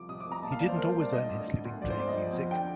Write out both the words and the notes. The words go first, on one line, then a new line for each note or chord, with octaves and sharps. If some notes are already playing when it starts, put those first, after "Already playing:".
He didn't always earn his living playing music.
Already playing: C2 F3 D6
C3 D#6
D6
C2
A#5
A#2 A5
F5
C2 D5
C5
C2 A#4
C5
C2
D5
D3 D#5
D2
D2
D2
F3 D5
C5
F2 D5
D#5
F3
F2
D3 G5